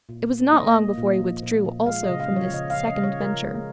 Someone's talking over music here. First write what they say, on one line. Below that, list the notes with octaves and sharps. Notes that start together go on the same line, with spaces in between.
It was not long before he withdrew also from this second venture.
A#2
A#3
A#3 D#5
A#3
A#2
F3
A#2
A#2
G#3 F5
D#5
C#3
F5
F3 C#5
C#3 D#5
F5
C#3
D#5
C#3
C#5
C#3 A#4
G#3